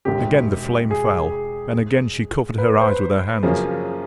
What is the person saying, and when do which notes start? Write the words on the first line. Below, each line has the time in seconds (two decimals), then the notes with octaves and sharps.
Again the flame fell, and again she covered her eyes with her hands.
0.05 E1 D#2 C#3 G4
0.91 G#4
2.58 B4
2.81 C5
2.87 B4
3.43 F#2 C#3 F3 A#3 C#4 G#4